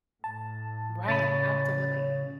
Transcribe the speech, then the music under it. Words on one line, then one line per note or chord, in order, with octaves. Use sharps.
Right. Absolutely.
A2 A5
C#3 C#5 B5 A6